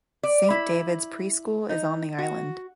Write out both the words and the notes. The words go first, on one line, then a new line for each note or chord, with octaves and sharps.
Saint David's Preschool is on the island.
D5
E4
D#4
F#4